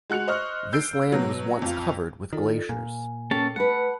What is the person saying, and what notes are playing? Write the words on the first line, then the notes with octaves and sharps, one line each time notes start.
This land was once covered with glaciers.
G#3 F#4 F#6 C#7 F7
C5 D#5 C#6 F6
E6 G6 C7 D7
B2 F#3
F2 F4
D#3 F4 A4 D5
A#2 G#5
A#3 C#4 A4 G5 A5
A3 B4 F#5 A5 B5